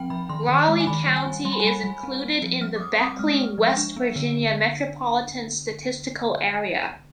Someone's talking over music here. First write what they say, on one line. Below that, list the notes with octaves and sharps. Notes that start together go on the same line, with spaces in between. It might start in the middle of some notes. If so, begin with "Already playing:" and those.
Raleigh County is included in the Beckley, West Virginia Metropolitan Statistical Area.
Already playing: F3 C4 G5
F3 B5
D#3 C6
D#3
D6
G#3
G#5
D#3 B5
G3
G#5
G3
G3 C6
B5
G#5
G3 B5
G3
C4
C4
F3
G3 F6
D6
G3 D#6
C4 D#6
G#3 F6
G#3
F3
D4
B3
D3